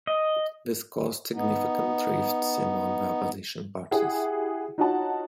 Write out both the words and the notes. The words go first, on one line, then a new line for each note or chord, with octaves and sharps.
This caused significant rifts among the Opposition parties.
D#5
B3 D#4
E4 G4 G#4 F#5
D#4 F4 F#4 C#5 F#5 A5